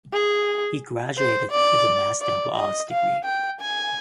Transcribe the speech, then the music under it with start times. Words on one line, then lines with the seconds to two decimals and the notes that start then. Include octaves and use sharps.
He graduated with a Master of Arts degree.
0.13 G#4
1.18 C5
1.52 D5
2.21 D5
2.56 D#5
2.92 F5
3.25 G5
3.61 G#5